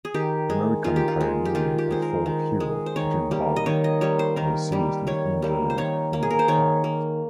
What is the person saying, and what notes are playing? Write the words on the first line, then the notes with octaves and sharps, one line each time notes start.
American pioneer and folk hero Jim Bowie was seriously injured in the fight.
G#4
D#3 G4
G#3
D#3 F4
G4
F4
G#3
G4
D#3 F4
G4
G#3 C5
A#4
D#3
G#3
C5
D#3 C#5
G3 A#3
D#5
D#3 C#5
D#5
G3 A#3 C#5
C5
D#3 A#4
G3 A#3
D#3 C#5
G3 A#3
C5
D#3 C#5
A#3
G#4
A#4
C5
D#3 C#5
A#3